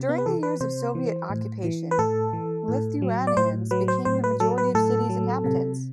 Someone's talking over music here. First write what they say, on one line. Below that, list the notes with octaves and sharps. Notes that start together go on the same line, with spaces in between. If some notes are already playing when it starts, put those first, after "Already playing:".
During the years of Soviet occupation, Lithuanians became the majority of city's inhabitants.
Already playing: C3
B3
B4
E3 A4
B4
C3 C5
E3
A2
E3
B4
A2 A4
E3
A2
F#3
D5
A2 C5
F#3 B4
C5
A2 C5
B4
F#3 A4
B4
A2 A4
F#3
C3